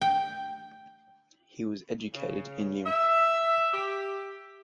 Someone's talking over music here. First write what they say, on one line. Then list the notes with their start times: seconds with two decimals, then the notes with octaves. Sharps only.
He was educated in Lyon.
0.01 G5
2.14 C#3
2.86 E5
3.74 G4